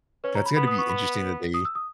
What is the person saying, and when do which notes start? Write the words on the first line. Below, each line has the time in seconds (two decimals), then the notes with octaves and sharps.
That's gonna be interesting that they
0.24 C#4 B4
0.35 A#5
0.46 B5
0.56 B3 B5
0.67 D#6
0.78 C#6
0.89 B5
1.54 D#6
1.65 E6
1.75 D#6